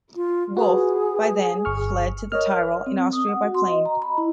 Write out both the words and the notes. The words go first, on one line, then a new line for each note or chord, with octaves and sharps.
Wolff by then fled to the Tyrol in Austria by plane.
F4
F#4 G#4 B4
G1 C#6 F6
A#4 C#5 D#5 F6
C4
D#6
F#5
F#4
C6
D#5
A#5
B5
E4